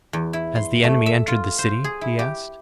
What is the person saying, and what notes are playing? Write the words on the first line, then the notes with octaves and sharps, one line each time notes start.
"Has the enemy entered the city?" he asked.
E2
E4
C6
A3
E5
F4
C5
G#4
E4
G4